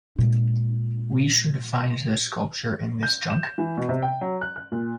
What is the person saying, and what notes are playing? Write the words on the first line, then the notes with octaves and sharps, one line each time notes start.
We should find the sculpture in this junk?
A#2 G#3
G6
E7
E3
B2
C3
G5
F#3
F#6
F#6
A#2